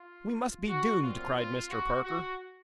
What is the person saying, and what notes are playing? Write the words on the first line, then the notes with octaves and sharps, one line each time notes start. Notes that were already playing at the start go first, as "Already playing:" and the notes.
"We must be doomed!" cried Mr. Parker.
Already playing: F4
F#4
A#2 F#3 C4 F4
F4
F#4
F#4